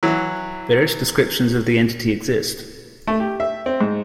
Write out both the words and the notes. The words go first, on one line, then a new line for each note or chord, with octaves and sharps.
Various descriptions of the entity exist.
E3 F#3
A3
G4
E5
C4
G#2